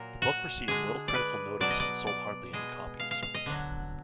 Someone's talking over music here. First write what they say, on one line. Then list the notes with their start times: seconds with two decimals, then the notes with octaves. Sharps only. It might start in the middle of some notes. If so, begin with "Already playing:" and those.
The book received little critical notice and sold hardly any copies.
Already playing: A#2 F#3 A#4
0.22 F#4
0.68 D3 G#3 G#4
1.08 D5
1.14 B4
1.61 B2 F#3 D5
1.70 D#5
1.80 D5
2.07 D5
2.53 B2 G#3 D#5
3.00 F5
3.11 F5
3.23 F5
3.34 D#5
3.46 D3 F#3